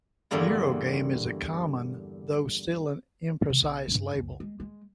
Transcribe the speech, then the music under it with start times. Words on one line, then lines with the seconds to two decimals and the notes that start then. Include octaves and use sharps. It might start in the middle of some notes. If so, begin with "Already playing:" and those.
Eurogame is a common, though still an imprecise, label.
0.31 E2 G2 D3 A#3 E4
3.45 C3 E3
3.62 B1
3.92 G2 D4
4.14 C#2 F#2
4.40 G#3
4.60 G#3